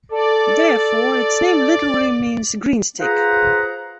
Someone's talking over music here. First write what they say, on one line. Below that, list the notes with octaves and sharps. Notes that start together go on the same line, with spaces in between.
Therefore, its name literally means green stick.
A4 D5
F4 G#4 B4 C5 F#5 A#5